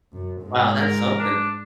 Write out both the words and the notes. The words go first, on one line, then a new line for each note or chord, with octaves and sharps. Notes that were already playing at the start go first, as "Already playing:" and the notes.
Wow, that's something.
F#2
G#2 G#3
A#4
D4